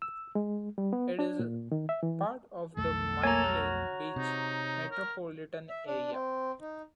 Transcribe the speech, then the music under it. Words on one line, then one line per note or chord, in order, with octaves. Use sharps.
It is part of the Myrtle Beach metropolitan area.
E6
G#3
G3
B3
D4
A#2
D#3
E5
E3
B1 F2 A3 A4
A#3 C#5 G#5 A#5
F#4 F6
C3 D#4
A#4
E5
D4
C4
D#4